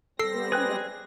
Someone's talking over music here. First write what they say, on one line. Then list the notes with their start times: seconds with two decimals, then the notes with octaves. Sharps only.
Well, I think that
0.19 G3 C4 A4 E6 A#6 C7
0.52 G#4 B4 G5 F#6